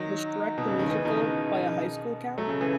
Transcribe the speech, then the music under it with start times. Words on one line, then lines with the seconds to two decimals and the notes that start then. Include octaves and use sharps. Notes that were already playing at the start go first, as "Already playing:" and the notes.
Was Shrek the musical, by a high school, count?
Already playing: D#3 F#3
0.58 B2
0.68 C#3
0.79 D#3
0.90 C#3 E3
1.05 B2 D#3
1.21 B2
2.38 F#3 A3
2.49 C#3
2.61 C#3 E3